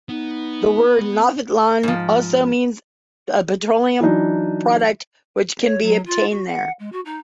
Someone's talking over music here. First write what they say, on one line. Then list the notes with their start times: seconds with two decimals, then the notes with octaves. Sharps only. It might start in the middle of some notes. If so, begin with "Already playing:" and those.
The word "naftalan" also means a petroleum product which can be obtained there.
0.09 B3 D#4
1.83 G#2 F3
4.01 E3 F#3 D4 D#4
5.62 C#5
5.82 F#3
6.06 F4
6.30 F#4
6.48 F#5
6.79 G#3
6.92 F#4
7.05 D#4